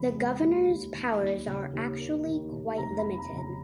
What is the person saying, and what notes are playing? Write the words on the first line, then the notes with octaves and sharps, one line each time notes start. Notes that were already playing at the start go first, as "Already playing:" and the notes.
The governor's powers are actually quite limited.
Already playing: F2 C#3 F3 B5
G#3
D#2
D#2
D#3
D#2
C#3
D#2
A#3
D#3
D#3
F1 A#5
B5
F3
A#5
C#3
A#5